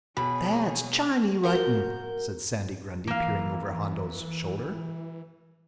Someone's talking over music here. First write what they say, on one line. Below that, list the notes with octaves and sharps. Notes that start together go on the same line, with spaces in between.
"That's Chiny writin'," said Sandy Grundy, peering over Hondo's shoulder.
B2 G#4 C#5 B5
F#4 A#4 G6
E3 A#3 F5